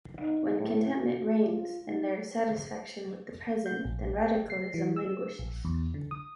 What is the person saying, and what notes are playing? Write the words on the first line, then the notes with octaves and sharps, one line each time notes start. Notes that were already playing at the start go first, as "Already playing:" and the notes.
When contentment reigns, and there is satisfaction with the present, then radicalism languishes.
D#4
A2
F#4
F4
D#4
G6
A#1
G5
C7
E3
E6
A#1
E2
D3
D#6